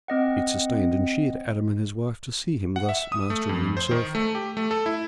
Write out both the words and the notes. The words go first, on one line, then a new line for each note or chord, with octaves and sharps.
It sustained and cheered Adam and his wife to see him thus master of himself.
C4 D#5 F#5
F#5
E5
D#6
A3
F2
C5
D#3
A3
G4
A3
A4
E4